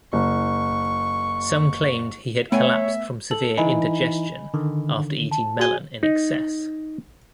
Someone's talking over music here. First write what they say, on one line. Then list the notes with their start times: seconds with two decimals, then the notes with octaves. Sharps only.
Some claimed he had collapsed from severe indigestion after eating melon in excess.
0.13 F#1 C#6
2.52 A3 B3 C#5 E5 G5 G#5
3.31 A4 F#7
3.57 E3 D#4 E4 D#5 G#5 B5
4.54 D3 D#3
5.31 A5
5.59 F#4 G#4 G#5 G7
6.03 D#4